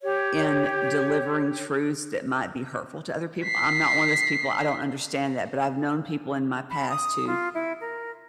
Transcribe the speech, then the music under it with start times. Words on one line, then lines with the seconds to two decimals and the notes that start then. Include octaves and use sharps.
in delivering truths that might be hurtful to other people; I'm not one of those people, I don't understand that, but I've known people in my past who
0.02 G4 C#5
3.44 B6 C7
6.70 B5
6.90 D#6
7.27 F4
7.55 E4
7.81 A#4